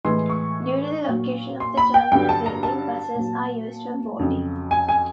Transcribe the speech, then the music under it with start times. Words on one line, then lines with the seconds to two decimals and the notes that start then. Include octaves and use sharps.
Due to the location of the terminal building buses are used for boarding.
0.04 A2 E3 G#3 C6
0.30 C#6
1.08 A#2 F#3
1.60 C6
1.77 B5
1.94 G5
2.12 G2 D3 F#3 G5
2.29 A5
2.46 A#5
2.63 A5
3.15 A#2 F#3
4.19 F2 C#3 F#3
4.71 G#5
4.88 G#5